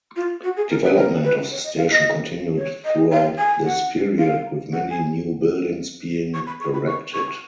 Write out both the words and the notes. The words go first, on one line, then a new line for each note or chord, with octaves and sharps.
Development of the station continued throughout this period, with many new buildings being erected.
F4
F#4
G#4
A#4
B4
A#4
B4
C#5
D#5
F5
D#5
C#5
D#5
F5
G#5
F#5
F5
F#5
G#5
C#6
B5
C#6
B5
C#6
C#6